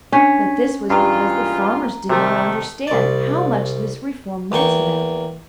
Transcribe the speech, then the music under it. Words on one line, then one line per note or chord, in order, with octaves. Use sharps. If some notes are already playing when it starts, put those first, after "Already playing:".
But this was because the farmers did not understand how much this reform meant to them.
C#4 D4 G#6 B6
G2 E3 G#3 F4 A#5
C3 D#3 A3
C2 D5
E2 A#3 G5 C#6